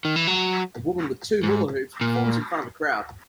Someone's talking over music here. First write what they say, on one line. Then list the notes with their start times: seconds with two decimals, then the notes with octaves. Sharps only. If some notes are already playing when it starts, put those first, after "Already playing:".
A woman with two hula hoops performs in front of a crowd.
0.05 D#3
0.16 E3
0.27 F#3
1.43 G#2
2.01 A#2